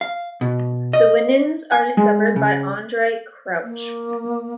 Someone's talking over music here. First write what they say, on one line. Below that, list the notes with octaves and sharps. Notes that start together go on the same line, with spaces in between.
The Winans were discovered by Andrae Crouch.
F5
B2
D#5
G#5
G#3
C#3
A#3